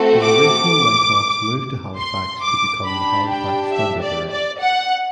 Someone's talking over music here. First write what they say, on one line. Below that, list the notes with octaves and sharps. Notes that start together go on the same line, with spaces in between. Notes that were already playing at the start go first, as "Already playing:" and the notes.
The original Knighthawks moved to Halifax to become the Halifax Thunderbirds.
Already playing: A3 C4 F#4 A4
D6
C6
D6
D4 G4 B5
G5
E5
D5
D5
F#5